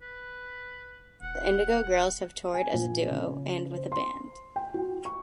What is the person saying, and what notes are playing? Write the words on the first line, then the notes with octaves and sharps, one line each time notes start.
The Indigo Girls have toured as a duo and with a band.
B4
E1 F#5
G#5
A#1
C#3
C5
C6
G5
F#4
C#6